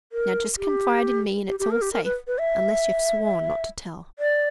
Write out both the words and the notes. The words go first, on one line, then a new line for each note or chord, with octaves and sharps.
Now, just confide in me and it's all safe, unless you've sworn not to tell.'
A#4
G4
G4
G4
A#4
G4
A#4
B4
B4
E5
D5